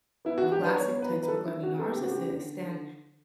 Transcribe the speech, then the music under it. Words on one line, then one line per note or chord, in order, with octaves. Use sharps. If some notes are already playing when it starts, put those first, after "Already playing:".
classic textbook, like, narcissist, and,
B3 E4
F#4
E3
G4
D4 B4
B3 C#5
B3
B4
E3
B4
E3 A4
D4 E4
C#3 F#4
B3 A4
G4
C#3 F#4
C#3 G4
D3
D3
D3